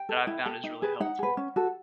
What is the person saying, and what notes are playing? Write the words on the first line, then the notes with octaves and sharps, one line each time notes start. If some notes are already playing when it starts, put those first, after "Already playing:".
that I found is really helpful.
Already playing: G5
A4
E4
A4
D#4
G#4 B4
D#4 F#5
G#4 B4
C#4
F#4 A4